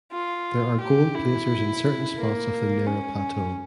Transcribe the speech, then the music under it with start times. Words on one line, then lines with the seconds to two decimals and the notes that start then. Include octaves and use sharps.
There are gold placers in certain spots of the Nera Plateau.
0.12 F4
0.81 G4
1.15 E4
2.18 A#3
2.87 C#4